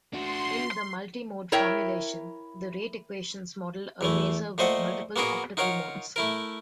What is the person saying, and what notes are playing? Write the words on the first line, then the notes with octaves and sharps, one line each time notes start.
In the multimode formulation, the rate equations model a laser with multiple optical modes.
D4 F#4 C6
E4 A#4 C#5 E5 G5
E2 E3 A3
A#2 A3 C5 D#5 F#5
A#3 B3 F#4 G#4 A#4
D#4 F4 A#4 C#5 F#5
A3 E4 A#4